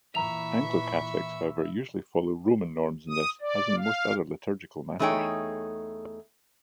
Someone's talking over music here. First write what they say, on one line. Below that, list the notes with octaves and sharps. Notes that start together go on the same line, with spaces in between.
Anglo-Catholics, however, usually follow Roman norms in this as in most other liturgical matters.
A#2 E3 E5 A#5 B5 C#6 F7
D#6
D5
F5
E2 A3 D#4 G#4 C#5 G5